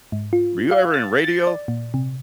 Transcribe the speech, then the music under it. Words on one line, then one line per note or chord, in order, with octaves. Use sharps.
were you ever in radio?"
G#2
F4
F5
A6
A6
D5
A#2
C3